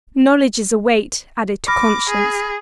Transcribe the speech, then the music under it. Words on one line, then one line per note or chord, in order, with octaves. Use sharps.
"Knowledge is a weight added to conscience."
B5 D6 F6 A#6
G#4